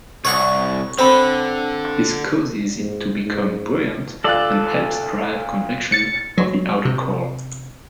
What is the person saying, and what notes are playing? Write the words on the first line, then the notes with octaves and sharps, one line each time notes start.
This causes it to become buoyant and helps drive convection of the outer core.
C2 C#5 F#5 C#6
D3 C4 C5 B5
G#2
G#2
D2 F4 A4 D5 F#6
A6 C#7
F#3
C3